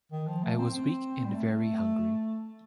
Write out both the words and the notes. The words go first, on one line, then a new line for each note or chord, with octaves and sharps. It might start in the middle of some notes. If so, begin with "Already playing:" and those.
I was weak and very hungry.
D#3
F3
A3
C4
C4
G3
A3